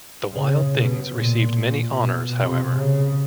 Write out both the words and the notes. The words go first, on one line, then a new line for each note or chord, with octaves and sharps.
The Wild Things received many honors, however.
C#3
B2
A#2
B2
C3
C#3